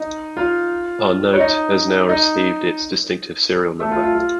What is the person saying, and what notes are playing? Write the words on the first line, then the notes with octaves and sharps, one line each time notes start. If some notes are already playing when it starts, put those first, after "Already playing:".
Our note has now received its distinctive serial number.
Already playing: D#4 D#5
F4 F5
C#5
D#4 D#5
D#4 D#5
A3 A4
F4
F4
F4